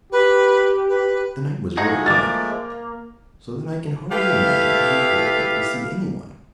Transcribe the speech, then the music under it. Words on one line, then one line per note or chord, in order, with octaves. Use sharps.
The night was very dark, so that I can hardly imagine how he could have hoped to see anyone.
G4 B4
B4
F3 G#3 A3 D#4 F#4 G#4
A#3 D6 A6
A3 E4 G4 B4 F5